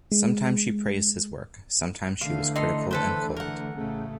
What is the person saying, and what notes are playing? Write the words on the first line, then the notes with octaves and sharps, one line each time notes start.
Sometimes she praised his work; sometimes she was critical and cold.
G#3
D3 E3 A3 F5
D#4 A4 C6
A4 B4 C5
A#4 F#5
A1 C#3 A3